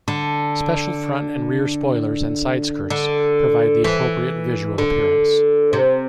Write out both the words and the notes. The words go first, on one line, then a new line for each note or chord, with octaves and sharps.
Special front and rear spoilers and side skirts provide the appropriate visual appearance.
D3
D3
E3
D3
C3